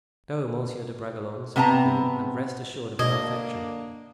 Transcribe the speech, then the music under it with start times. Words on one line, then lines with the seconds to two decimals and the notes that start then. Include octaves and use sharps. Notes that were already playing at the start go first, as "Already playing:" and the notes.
"Go, Monsieur de Bragelonne," said the queen, "and rest assured of our affection."
1.56 C3 B3 C4 A5 A#5
2.99 B2 D3 A#3 D4 D#5 G#6